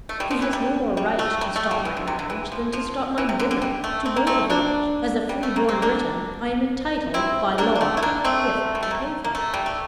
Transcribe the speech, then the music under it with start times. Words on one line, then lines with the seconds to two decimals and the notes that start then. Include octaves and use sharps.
He has no more right to stop my marriage than to stop my dinner, to both of which, as a free-born Briton, I am entitled by law, if I can pay for them.
0.09 A3
0.20 G3
0.31 F3
0.42 E3
0.53 G3
0.97 G3
1.19 A3
1.41 G3
1.56 A3
1.71 G3
1.85 E3
1.97 D3
2.07 C3
2.19 D3
2.30 E3
2.52 F3
2.73 F3
3.18 E3
3.29 C3
3.39 D3
3.51 D3
3.62 G3
3.84 A3
4.06 C4
4.16 A#3
4.27 A3 C4
4.50 A#3 D4
5.29 G3
5.43 A3
5.56 A#3
5.69 C4
5.82 A#3 D4
7.14 C4 E4
7.58 A#3 D4
7.75 D4
7.81 A3 C4
7.97 E4
8.03 A#3 D4
8.24 A3 C4
8.75 G3
8.83 A3
8.91 A#3
9.24 A#3
9.35 A3
9.54 G3
9.66 A3